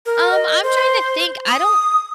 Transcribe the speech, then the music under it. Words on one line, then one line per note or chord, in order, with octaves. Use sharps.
Um, I'm trying to think, I don't
A#4
D#5
C5
D#6